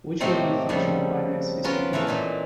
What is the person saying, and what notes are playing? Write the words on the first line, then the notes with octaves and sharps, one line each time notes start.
Which will be functional by next fiscal year.
A2 C3 A3 A#3 C4 D#4
F2 C#3 F3 G3
B3 C#4 F4 A#4 B4
E3 A3 B4 F5
A#2 E3 D#4